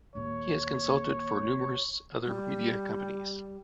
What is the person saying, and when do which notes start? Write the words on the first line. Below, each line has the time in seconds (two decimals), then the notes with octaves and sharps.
He has consulted for numerous other media companies.
0.15 D#2 A#2 C#5
2.26 G3